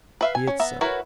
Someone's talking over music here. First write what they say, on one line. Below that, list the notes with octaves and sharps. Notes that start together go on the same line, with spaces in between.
Be it so.
B4 E5 F5
G#5
C#4
B3 E5 A#5
E4 F#4 A#4 B4 C#5